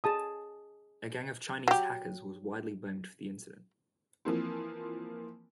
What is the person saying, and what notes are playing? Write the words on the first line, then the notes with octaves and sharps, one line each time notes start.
A gang of Chinese hackers was widely blamed for the incident.
G#4 A5 D#6
F#3 G4
E3 F3 A#3 C4